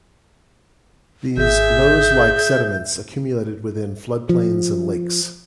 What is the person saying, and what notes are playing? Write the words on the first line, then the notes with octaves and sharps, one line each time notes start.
These loess-like sediments accumulated within floodplains and lakes.
G#1 G#4 E5 G6
F3